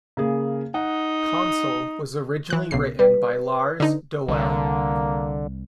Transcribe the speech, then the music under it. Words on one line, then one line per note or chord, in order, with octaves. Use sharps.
Konsole was originally written by Lars Doelle.
C#3 A#3 G#4
D#4 F#5
E3 F#6
B1 C#3 C7
G3 B4
D3 D#4
C2 D3 A#3